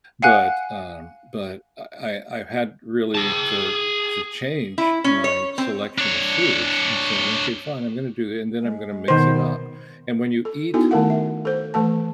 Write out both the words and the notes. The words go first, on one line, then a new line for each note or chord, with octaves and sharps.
But, um but I I I've had really to to change my selection of foods and saying, "Okay, fine. I'm gonna do it, and then I'm gonna mix it up." And when you eat
F5 F#5 G#5 F#6
G#4 A5
E4
C#4
C#5
C4
D4 C#5
G#3
B2 D#3 B3 C5
A4
B3 D#4 E4 F#4 A4 G#5
D#3 A3 A4 A#4 F5 F#5
E5
A4 C5
E3 A3 A4 A5